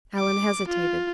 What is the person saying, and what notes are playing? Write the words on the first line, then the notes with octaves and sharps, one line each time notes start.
Allan hesitated.
D6
F4